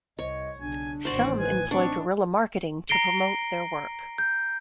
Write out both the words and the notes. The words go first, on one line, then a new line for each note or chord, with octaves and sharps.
Some employ guerrilla marketing to promote their work.
C2 C#5 D#5
B1 C#3 D4 G#5
A1 D#3 F#4 C5 D5
B4 G#5
C4 D4 D#4 C#6
A#5 A#6 C7 D7 G7
G6